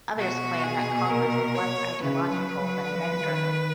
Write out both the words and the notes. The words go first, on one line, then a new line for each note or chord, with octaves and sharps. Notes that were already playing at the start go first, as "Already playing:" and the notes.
Others claim that Congress was less ideological than event driven.
B2 F#4
G#4
A#4
C#5
C#3 B4
F#3
F#3
F3
D#3